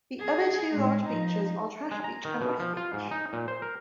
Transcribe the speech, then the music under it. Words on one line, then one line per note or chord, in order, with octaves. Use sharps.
The other two large beaches are Trash Beach and West Beach.
G#4
A2 G#3
F3 D#4
G#3
A#5
D#3
B2
F3
F4
G#2
D#4
A#2
C5
A#4